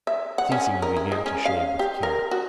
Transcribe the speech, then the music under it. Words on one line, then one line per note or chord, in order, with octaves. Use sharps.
Ceasing, he began to shave with care.
E5
F#5
C#4
A#4
E4
G#3
C#4
F5
G4
A#4
F#4